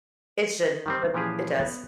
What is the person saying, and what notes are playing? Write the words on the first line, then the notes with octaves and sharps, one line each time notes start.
It shouldn't, but it does.
D#3 G3 C4
A#2 E3 F3 C#4 G4 G#4
B3